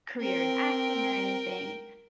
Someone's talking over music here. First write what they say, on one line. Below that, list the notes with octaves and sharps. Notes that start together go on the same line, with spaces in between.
career in acting or anything.
C4 A#4 G5